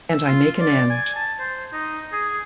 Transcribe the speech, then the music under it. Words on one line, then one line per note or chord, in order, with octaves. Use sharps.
And I make an end.
E6
F4
D5
G#5
A5
C5
D#4
G#4